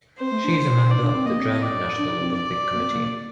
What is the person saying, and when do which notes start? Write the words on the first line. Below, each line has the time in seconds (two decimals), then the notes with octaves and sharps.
She is a member of the German National Olympic Committee.
0.20 C4 C5
0.32 A3
0.44 D4
0.91 D#4 D5
1.03 D4
1.15 C4
1.26 A#3 D#5
1.38 C4
1.62 D5
1.97 D4
2.10 D#4
2.21 C4
2.33 D5
2.74 A#3
2.80 C4
2.91 A#3